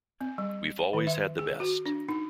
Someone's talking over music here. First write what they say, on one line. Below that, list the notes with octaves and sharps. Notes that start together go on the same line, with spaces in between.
We've always had the best.
C4
G3
D#3
E5
G#4
F#4
D4
D#4